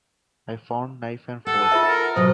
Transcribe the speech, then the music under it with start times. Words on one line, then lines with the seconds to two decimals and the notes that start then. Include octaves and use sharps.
I found knife and fork.
1.47 A4 F#5
1.60 B4 A5
1.72 F4 B4 E5
1.87 A#4
2.16 B2 F#3 C5 D#5